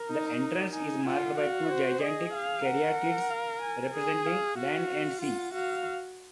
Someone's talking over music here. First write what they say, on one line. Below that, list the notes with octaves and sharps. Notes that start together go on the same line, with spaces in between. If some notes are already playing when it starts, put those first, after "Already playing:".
The entrance is marked by two gigantic caryatids representing "Land" and "Sea".
Already playing: A#4
D#4
D#4 G#5
F4 F#5
F#4 F5
C5
G#4 D#5
F5
A#4 F#5
F5
G#5
G#4 G#5
F5
F#4 F5
F4 F#5
F#4 F5